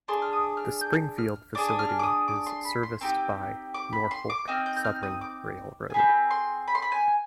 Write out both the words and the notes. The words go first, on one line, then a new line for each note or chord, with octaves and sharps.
The Springfield facility is serviced by Norfolk Southern Railroad.
D4 G#4 C6
F6
D#6
F6
G6
F6
D4 G#4 D6
D#6
F6
D6
D#6
D6
C6
B5
C6
C4 D#4 G4 D6
D6
B5
C6
D6
C4 D#4 F6
G6
G6
F6
D#6
D6
G#5
C4 D#4 G#4 B5
C6
B5
C6
B5
G#5